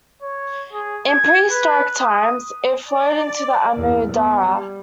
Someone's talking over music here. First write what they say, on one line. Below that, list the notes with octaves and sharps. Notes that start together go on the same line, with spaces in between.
In prehistoric times it flowed into the Amu Darya.
C#5
G#4
G#6
B4
D#6
D5
E2
B3
G3